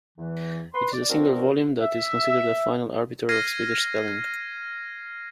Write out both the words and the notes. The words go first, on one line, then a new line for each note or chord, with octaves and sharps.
It is a single volume that is considered the final arbiter of Swedish spelling.
E2 E3
B4 C6
D5
B2 F3 C4 D4 F#4 A#4
E5
F6 G#6 A#6 C7 D#7